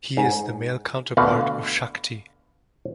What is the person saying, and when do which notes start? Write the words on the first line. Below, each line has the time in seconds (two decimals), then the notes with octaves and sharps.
He is the male counterpart of Shakti.
0.17 G#2
1.17 D2 B2 D3 F5 F#5